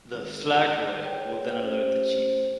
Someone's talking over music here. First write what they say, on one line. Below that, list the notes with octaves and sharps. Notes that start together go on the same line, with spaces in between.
The 'Flagboy' will then alert the chief.
G#1
G#4 B4 C#5 D5 G5
A3 C#4 G4 C5